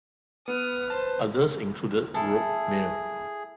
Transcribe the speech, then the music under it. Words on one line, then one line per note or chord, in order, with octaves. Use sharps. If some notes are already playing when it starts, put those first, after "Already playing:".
Others included "Rogue Male".
B3 B4 D#6 F6
C5 A5
E4 G#4 A4